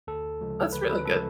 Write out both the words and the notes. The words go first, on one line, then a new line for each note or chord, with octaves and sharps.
That's really good.
D2 A4
C#3 F3 G#3
D2 B4
B4
C#3 F3 G#3 A4